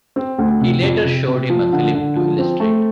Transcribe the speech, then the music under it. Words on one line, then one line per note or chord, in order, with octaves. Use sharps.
He later showed him a film to illustrate.
C4
D2
C3
F2
C3
C3
F3
D3
D3
F3
C4
A3